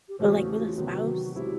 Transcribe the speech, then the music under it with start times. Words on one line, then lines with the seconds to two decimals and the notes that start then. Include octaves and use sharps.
but, like, with a spouse,
0.09 G4
0.19 E2 C#3 E3 A3 C4 F#4
0.49 G4
0.57 F#4
0.65 F4
0.74 C3 D#3 F#3 B3 F#4
1.35 B2 G#3 C4 E4 G4